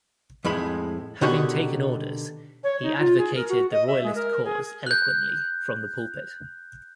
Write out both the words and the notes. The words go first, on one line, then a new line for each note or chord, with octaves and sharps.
Having taken orders, he advocated the Royalist cause eloquently from the pulpit.
F2 A2 G#3 B5
B2 D3 D#3 F#4 G4 C#5
C#5
D#4
F4
G#4
A#4
F#4
D#5
E5
G#3
A#4
G#4
F#6 G6